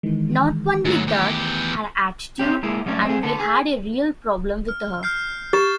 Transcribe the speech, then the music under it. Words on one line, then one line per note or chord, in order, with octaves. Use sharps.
Not only that, her attitude, and we had a real problem with her.
D#3 E3 G#3
G#2 D#3 F#3 A3
E2 G4
C4 C#4 G4
G#3 A#3 E4 G#4
F#3 G3 A3 C#4 D4
C4 G#4
D3 B3 A4
G#4
F6
F6 G6 C7
G4 A6 E7